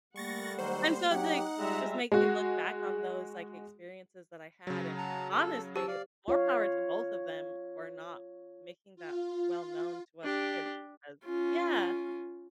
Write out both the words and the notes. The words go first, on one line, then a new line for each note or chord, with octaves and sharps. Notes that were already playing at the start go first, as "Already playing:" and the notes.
and so, d like, just makes me look back on those, like, experiences that I had, and, honestly, more power to both of them for not making that well known to us kids, because yeah.
G3 A3 A#3 F#5 C#6 A6 A#6
D#3 F#3 C5
F#3 D#4 G4 F#5
G3 G#3 F4 E5 A#5
G#3 F#4
C#3 F#3
F#5 A5 A#5
A4
G4 C5 A5 E6
D5 F5
F4 C#5 F5
F4
D4 G4
C#4 F4